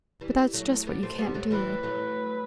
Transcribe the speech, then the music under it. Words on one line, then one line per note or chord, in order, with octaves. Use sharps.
But that's just what you can't do.'
E3 G3
F#3 A3
G3 B3
A3 C4
G3 B3
F#3 A3
E3 G3 B4
F#3 A3